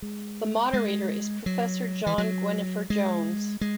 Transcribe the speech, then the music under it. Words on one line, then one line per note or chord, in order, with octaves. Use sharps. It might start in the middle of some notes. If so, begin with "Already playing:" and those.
The Moderator is Professor John Gwynfor Jones.
G#3
G#3
F#3
E3
F#3
G#3
G#3